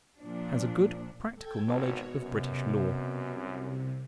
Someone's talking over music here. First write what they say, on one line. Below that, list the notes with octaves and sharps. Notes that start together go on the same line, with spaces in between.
Has a good practical knowledge of British law.
A#2 F3 D4
A4 G5 G#6
G#1 B2 F#4 C#5
F#2 C3
C2